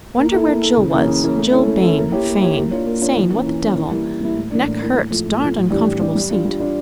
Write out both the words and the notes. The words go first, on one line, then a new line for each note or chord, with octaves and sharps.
Wonder where Jill was--Jill Bayne, Fayne, Sayne--what the devil--neck hurts, darned uncomfortable seat.
A#3
E4 A4
A#3
E4 A4
C#3
E3 A#3 C#4
C#3
E3 A#3 C#4
A3
C#4 E4 A4
A3
C#4 E4 A4
A#3
E4 G4 C#5
A#3
E4 G4 C#5
A#3
D4 F4 C#5
A#3
D4 F4 C#5
E3
A#3 C#4
E3
A#3 C#4
E3
G3 A#3 E4
E3
G3 A#3 E4
A2
E3 A#3 D4
A2
E3 A#3 D4
A2
F3 A3
A2
F3 A3
A2
E3 G3 D4 G4
A2
E3 G3 D4 G4
G3
D4 F4
G3
D4 F4